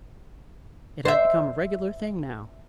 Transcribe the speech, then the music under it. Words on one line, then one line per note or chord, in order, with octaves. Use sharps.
It had become a regular thing now.
C5 E5